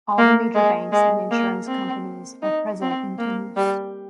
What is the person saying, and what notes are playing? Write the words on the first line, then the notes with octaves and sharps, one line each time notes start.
All the major banks and insurance companies are present in Toulouse.
A#3
G#3
G#3
A#3
C4
D#4
C4
A#3
G3